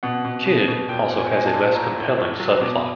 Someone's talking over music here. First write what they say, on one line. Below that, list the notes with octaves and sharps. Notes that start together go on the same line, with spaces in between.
"Kid" also has a less compelling subplot.
B2 F#5
B2
B2
B2
A#2 G5
A#2
G#5
G#3 G#5
A5
A#2
A2 A#5
A2
A2
F#3
B2 D6